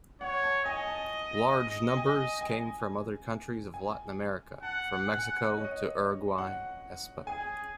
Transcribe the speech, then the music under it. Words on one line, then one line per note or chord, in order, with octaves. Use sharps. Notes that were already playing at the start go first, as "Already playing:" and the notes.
Large numbers came from other countries of Latin America from Mexico to Uruguay, esp.
C#5 F#5
A5
D#5 G#5
A5
G#5
G#5
G#5
F#5 A5
F#5
G#5
F#5
D#5
C#5
D#5
F#5
G#4 G#5